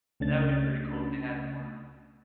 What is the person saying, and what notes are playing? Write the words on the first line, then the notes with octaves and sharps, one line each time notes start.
That would be pretty cool if they had more.
C#2 C#3 A3 C#4 D4 A6